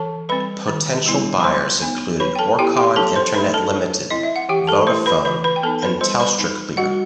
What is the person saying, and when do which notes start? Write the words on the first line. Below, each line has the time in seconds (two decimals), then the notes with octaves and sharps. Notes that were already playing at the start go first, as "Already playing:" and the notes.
Potential buyers included Orcon Internet Limited, Vodafone and TelstraClear.
Already playing: E3 A4 A5
0.29 G3 C4 B4 B5
0.68 D#3
1.06 G3 B3 E4
1.40 B5
1.44 F#3 C5 C6
1.82 B3 D#4
2.20 F#3 B4 B5
2.35 G5
2.39 A4 A5
2.59 B3 E4 G4 G5
2.77 G4 G5
2.96 F#3 A4 A5
3.16 C5 C6
3.34 A3 D#4 B4 B5
3.54 A4 A5
3.73 F#3
4.10 C4 E4 D#5
4.23 E5
4.36 F#5
4.49 E3 G4 G5
4.67 A4 A5
4.87 A3 E4 C5 C6
5.06 B4 B5
5.25 E3 B4 B5
5.44 B4 B5
5.56 G5
5.63 B3 D#4 A4 A5
5.82 B4 B5
6.01 G3 C5 C6
6.20 B4 B5
6.39 D#4
6.77 G3 F#4 F#5